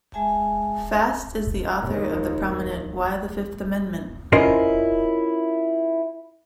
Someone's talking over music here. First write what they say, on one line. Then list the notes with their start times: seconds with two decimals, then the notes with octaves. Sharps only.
Fast is the author of the prominent Why the Fifth Amendment?
0.14 G#3 G#4 E5 G#5 A5
1.80 D#2
4.32 C#4 E4 F4 A#4 C5 D#5